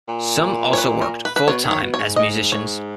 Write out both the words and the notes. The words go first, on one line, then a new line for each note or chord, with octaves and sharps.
Some also worked full time as musicians.
A#2
C#5
B4
A#4
B4
B4
B2 C#5
D#3
C#5
B2
C#5
G#2
G#2 D#5
C#5